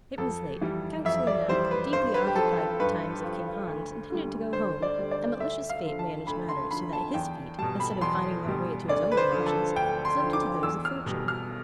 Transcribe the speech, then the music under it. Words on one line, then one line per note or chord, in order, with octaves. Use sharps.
It was late; Councillor Knap, deeply occupied with the times of King Hans, intended to go home, and malicious Fate managed matters so that his feet, instead of finding their way to his own galoshes, slipped into those of Fortune.
F2 A4
E3 G3
F2 E5
D5
E3 G3 C5
B4
G2 C5
B4
G4
F3 A4
A4
G2 B4
F3
D2
D3 G3
D2 C5
D5
D3 G3
D5
D2 E5
F5
D3 F3
A5
D2 B5
C6
D3 F3 B5
A5
E2 G5
B2 G3 A5
B5
E2 C6
B2 G3
D2 D5
B4
C5
D3 F3
A4
D2 G5
C6
D3 F3
D6
E2 E6
F6
B2 G3
F6